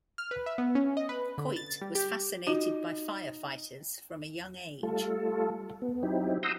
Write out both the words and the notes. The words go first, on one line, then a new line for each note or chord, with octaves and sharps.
Coit was fascinated by firefighters from a young age.
F6
B4
E5
B3
C#4
D#5
B4
D3
A6
G3
G4
D#4 F4 F#4
G3 A3 F4 A4
B3
F#3 C4 D#4 E4 G4
F#5 A#5 C6 D#6 E6 G6